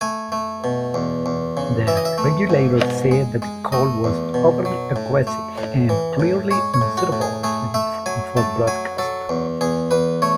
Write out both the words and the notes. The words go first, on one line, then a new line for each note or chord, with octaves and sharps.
The regulator said that the call was "overtly aggressive" and "clearly unsuitable for broadcast".
A3 G#5
A3
B2
E2
E2
C#3
E3 E5
D#5
E5
A3
G#2
B2
G#3
G#3
A3 D#5
E2
B2
F#3
A2
A3
A2
E3
A2
G#3 C#5
C#5
A2
F#4
A2
G#4
A3 G#4
A3 E5
F#3 G#5
A3 A5
F#3 G#5
F#3 A4
E2
E2 G#4
E2 B4
A3 C#5